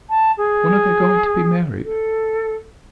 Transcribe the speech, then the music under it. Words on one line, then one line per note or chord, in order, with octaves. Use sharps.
When are they going to be married?'
A5
G#4
A4